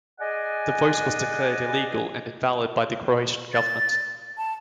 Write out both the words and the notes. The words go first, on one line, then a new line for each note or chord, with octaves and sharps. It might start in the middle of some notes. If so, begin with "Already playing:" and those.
The vote was declared illegal and invalid by the Croatian government.
G#4 D5 D#5 F#5 G#5
A6
A5